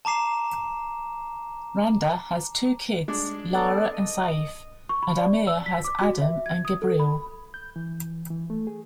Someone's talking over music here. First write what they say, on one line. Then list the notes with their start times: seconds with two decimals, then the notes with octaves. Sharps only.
Randa has two kids Lara and Seif, and Amir has Adam and Gebriel.
0.05 A5 A#5 D6 C7 E7
3.08 G#3 D4
3.53 B3 A4 D5
3.93 D#5
4.89 C#6
5.03 B5
5.18 D5
5.47 E6
5.66 B6
5.84 D6
6.01 F#4
6.21 E5
6.46 G#6
6.65 D#6
6.82 A4
7.00 B5
7.54 G6
7.76 E3
8.31 E3
8.50 A3
8.67 G#4